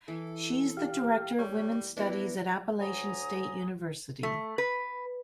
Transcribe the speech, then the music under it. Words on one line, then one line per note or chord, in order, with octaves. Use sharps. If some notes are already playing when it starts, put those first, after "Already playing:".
She is the director of Women's Studies at Appalachian State University.
E3 A4
G4 F5
G3 C#5
B3 D4 E4 F#4 A#4
D2 F#4 C#5 G#5 A#5 D#6
A3
B4